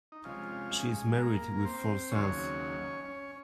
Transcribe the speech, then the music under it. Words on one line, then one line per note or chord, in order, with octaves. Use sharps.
She is married with four sons.
D#4
C3 F3 G#3 C#4 F4
G#3 G#4
A#3 A#4
A#4
C4 C5
D#2 C#3 F#3 C#4 C#5
C#4 C#5